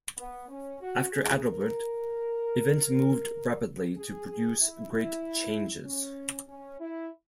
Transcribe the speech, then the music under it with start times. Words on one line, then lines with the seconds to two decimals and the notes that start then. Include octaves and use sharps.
After Adalbert events moved rapidly to produce great changes.
0.18 B3
0.49 C#4
0.81 F#4
1.13 G#4
1.44 A#4
3.96 G#4
4.28 G#4
4.60 E4
4.91 E4
5.85 C#4
6.48 C#4
6.80 E4